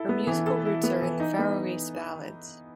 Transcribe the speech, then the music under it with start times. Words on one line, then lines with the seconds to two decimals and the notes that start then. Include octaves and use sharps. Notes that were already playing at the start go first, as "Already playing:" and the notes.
Her musical roots are in the Faroese ballads.
Already playing: E4 A4
0.09 B3
0.27 E3
0.46 A4
0.65 E4
0.83 B3
1.02 E3
1.20 D#4
1.39 B3